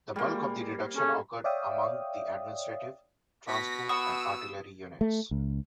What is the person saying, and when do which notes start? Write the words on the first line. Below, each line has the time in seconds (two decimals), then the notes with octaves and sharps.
The bulk of the reduction occurred among the administrative, transport and artillery units.
0.16 G3 G#3 A#3
0.96 C#4 G#4 A4
1.44 C#5 D5 E5 F5 G5 D#6
3.48 B2 A#6 B6
3.89 F#5 B5 C#6 D#6 E6
5.01 A3
5.31 C#2